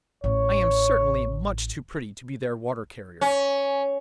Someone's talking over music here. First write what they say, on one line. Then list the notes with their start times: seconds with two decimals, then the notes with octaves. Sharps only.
I am certainly much too pretty to be their water carrier!'
0.24 A1 C#5
3.21 C#4